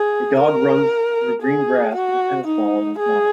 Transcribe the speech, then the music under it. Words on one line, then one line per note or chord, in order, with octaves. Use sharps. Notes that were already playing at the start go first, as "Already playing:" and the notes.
A dog runs through green grass with a tennis ball in its mouth.
Already playing: G#4
A#4
G#4
F#4
D#4
G#4